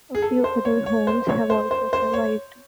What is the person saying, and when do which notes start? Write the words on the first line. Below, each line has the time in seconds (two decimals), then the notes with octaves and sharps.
A few other homes have also survived.
0.15 G#4
0.22 A4
0.44 C5
0.65 C#5
0.86 C#5
1.07 C5
1.29 C#5
1.50 C5
1.71 C5
1.93 C5
2.14 C#5